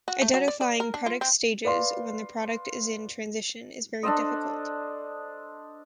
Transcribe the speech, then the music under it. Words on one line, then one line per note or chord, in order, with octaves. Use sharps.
Identifying product stages when the product is in transition is very difficult.
F#4
A3
F#3
D5
D5
A#4
D4
F4
C4
B4 D5 F5 C6
D4 A4 C5 D#5